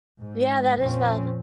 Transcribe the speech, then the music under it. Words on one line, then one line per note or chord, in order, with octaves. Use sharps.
Yeah, that is wild.
G#2
F2 A#2 F3 C4 C#4